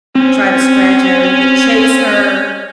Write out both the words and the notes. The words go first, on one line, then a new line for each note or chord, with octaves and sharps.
try to scratch at her, he would chase her
C4 C#4